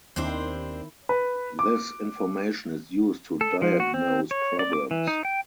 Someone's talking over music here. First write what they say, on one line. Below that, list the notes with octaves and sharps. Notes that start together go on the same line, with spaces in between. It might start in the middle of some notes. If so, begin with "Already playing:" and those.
This information is used to diagnose problems.
D#2 D#3 C4 D4 E4 C5
B4
D6
A4
F3
F#4
C4
C#5
D5
D6
E3
D#4
G5